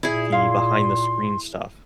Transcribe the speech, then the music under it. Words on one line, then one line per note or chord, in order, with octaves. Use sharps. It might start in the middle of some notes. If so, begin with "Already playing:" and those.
the behind the screen stuff.
A#2 E4 G#4 E5
F5 C6